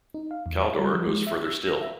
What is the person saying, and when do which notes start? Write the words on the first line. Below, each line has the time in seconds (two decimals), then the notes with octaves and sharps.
Kaldor goes further still.
0.14 D#4
0.31 F5
0.46 E2
0.62 C#5
0.79 G3
0.94 F3
1.07 G#3
1.27 E5
1.44 E6
1.67 A#6
1.81 E5